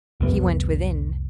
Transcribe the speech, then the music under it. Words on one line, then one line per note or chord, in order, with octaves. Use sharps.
He went within.
C2 F2 B3